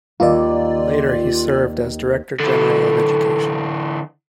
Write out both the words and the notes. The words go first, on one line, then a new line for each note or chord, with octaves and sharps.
Later he served as Director General of Education.
D#2 A#3 F4 D5
D3 E3 A4